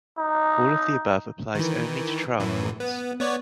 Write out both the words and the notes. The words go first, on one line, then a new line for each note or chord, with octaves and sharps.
All of the above applies only to trial courts.
D#4
D#3 E3
F#2 A2 E3
B3
B3 C#5 D5